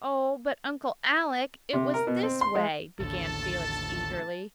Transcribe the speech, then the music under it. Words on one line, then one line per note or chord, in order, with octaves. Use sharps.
"Oh, but Uncle Alec, it was this way," began Felix eagerly.
C3
A#4
B2
C4
C6
G#3
A1 D#2 D3 A4 A5